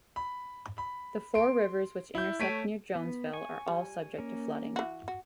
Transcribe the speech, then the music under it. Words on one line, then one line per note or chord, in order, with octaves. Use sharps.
The four rivers which intersect near Jonesville are all subject to flooding.
B5
B5
C6 D7
E4 G6
A3 C#5 B6 D7 D#7
B3
G#5 C#6
G3
A#3 C#4
E3 F#4
F#4